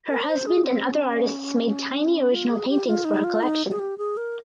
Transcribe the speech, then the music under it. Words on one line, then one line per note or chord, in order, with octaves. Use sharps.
Her husband and other artists made tiny original paintings for her collection.
A#4
C#5
C5
G#4
C4
C#4
F4
G#4
G4
F4
D#4
F4
D#4
G#4
G4
G#4
A#4